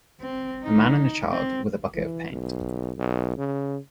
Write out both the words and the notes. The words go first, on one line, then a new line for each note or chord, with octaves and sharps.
A man and a child with a bucket of paint.
C4
D#4
C4
E3
B1
B1
C#3